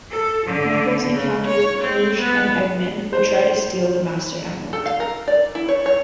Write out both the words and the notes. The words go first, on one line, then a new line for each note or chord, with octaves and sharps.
Knuckles encounters Rouge and Eggman, who try to steal the Master Emerald.
A4
D3
C#3
C#5
C4
B3
C5
A4
F5
A#4
D5
E4
C#5
C#5